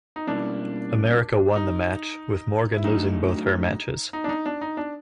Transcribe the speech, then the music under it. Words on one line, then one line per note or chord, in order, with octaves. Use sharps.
America won the match with Morgan losing both her matches.
D#4
B2 G3 A#3 C#4 D4 E4
D#4
E4
A2 F#3 A3 D4 D#4
D#4
D4
D#4
D4
D#4
D4